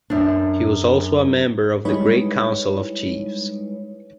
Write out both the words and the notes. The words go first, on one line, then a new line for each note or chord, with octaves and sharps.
He was also a member of the Great Council of Chiefs.
F#2 D4
G3 G#3 D#4 E4 B4 C#5